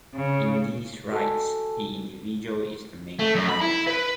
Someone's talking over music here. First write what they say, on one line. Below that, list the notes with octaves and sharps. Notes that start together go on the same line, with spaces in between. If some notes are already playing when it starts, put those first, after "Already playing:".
In these rights, the individual is the main target.
C#3
F#4 A4 G#5 A5
A3
F#2
B5
E4
B4